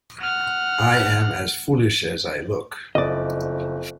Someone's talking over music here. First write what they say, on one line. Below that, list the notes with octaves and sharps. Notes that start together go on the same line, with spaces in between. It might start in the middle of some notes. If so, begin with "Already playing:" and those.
I am as foolish as I look.
F#5 F6
F#1 F2 D5 D#5